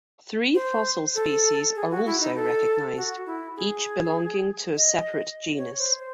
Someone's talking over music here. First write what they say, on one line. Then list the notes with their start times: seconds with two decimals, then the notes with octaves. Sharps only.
Three fossil species are also recognised, each belonging to a separate genus.
0.55 C5
1.15 A4
1.76 G#4
1.91 F#4
2.06 E4
2.21 D#4
2.36 A4
2.96 F#4
3.26 E4
3.56 G#4
4.77 D#5
5.57 C#5
5.78 C5
5.97 C5